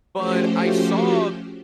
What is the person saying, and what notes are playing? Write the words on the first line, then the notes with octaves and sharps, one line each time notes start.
But I saw
F3 A3 C#4 F#4 G4 C5